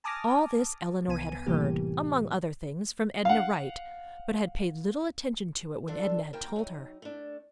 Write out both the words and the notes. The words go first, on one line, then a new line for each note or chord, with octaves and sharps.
All this Eleanor had heard, among other things, from Edna Wright, but had paid little attention to it when Edna had told her.
G#5 A5 D6 D#6 F6 A#6
C2 B3 G#5 D#7
A2 C3 E3 G3 A#3 G4
F5 F#5
D3 D4 F4 A4 E5
D#2 B2 A#3 A#4 G5
F#3 D#4
A3 D4